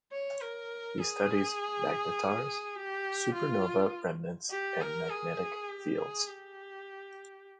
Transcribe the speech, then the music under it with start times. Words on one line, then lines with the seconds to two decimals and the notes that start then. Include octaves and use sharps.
He studies magnetars, supernova remnants and magnetic fields.
0.12 C#5
0.42 A#4
1.00 G#4
2.76 G4
3.34 F4
4.51 G4
4.81 A#4
5.10 G#4
5.69 G4
5.99 G#4
6.27 G4